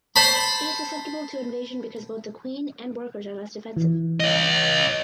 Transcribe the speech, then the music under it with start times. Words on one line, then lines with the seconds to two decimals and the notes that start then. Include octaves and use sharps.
It is susceptible to invasion because both the queen and workers are less defensive.
0.16 C5 A5 B5
3.77 E3
4.20 C#5 D#5